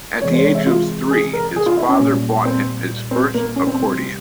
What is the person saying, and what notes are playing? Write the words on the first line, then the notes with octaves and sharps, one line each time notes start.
At the age of three, his father bought him his first accordion.
C3 E3 G#3 C#5
C5
C#5
E5
F4
G#4
A#4
G#4
F4
E4
C#4
A#2 G3
C4
C4
A#3
C#4
C4
C3 G3